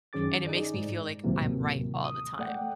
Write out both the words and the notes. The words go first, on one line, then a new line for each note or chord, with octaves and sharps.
and it makes me feel like I'm right all the time,
F#2 D#3 C#4 G#4 D6 A6
D#4 G#4 D5
G#2
D#2 A2 C3 E3 F#3 A#3
D#6
A3 D5 F#5 G5